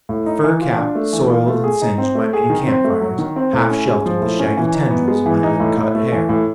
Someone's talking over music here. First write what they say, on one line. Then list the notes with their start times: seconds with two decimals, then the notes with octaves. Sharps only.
A fur cap, soiled and singed by many camp-fires, half sheltered the shaggy tendrils of my uncut hair.
0.09 A2
0.26 D#4
0.44 E3
0.61 F4
0.78 D4
0.95 A3
1.13 E3
1.30 F4
1.47 A3
1.64 G#4
1.82 D#4
1.98 C4
2.15 A3
2.33 G#4
2.50 D#3
2.67 C4
2.84 A3
3.01 F#3
3.18 D#3
3.36 C4
3.53 A2
3.70 C#4
3.88 G#3
4.06 F3
4.22 A2
4.39 C#4
4.57 E3
4.74 D#4
4.90 B3
5.08 G#3
5.26 E3
5.43 D#4
5.60 A2
5.77 A2
5.95 A3
6.12 E3
6.29 A2